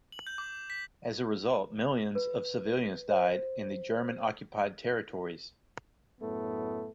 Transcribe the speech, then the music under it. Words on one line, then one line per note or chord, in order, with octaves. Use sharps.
As a result, millions of civilians died in the German-occupied territories.
F#7
G6
D6
B6
B4
C5
F#2 A2 A3 B3